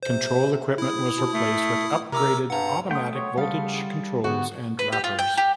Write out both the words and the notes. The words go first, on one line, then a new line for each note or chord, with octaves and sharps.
Control equipment was replaced with upgraded automatic voltage controls and rappers.
C3 C5
E4 D#6
B2
A3
C3 A#4 D6 E6
G2 F#5 A#5
A3 F#5 G5 C6 D#6
C#5
C#3 G3 A4 F5
G#2 D3 B3 F#4 G4
B4
G4
F4
G5
G4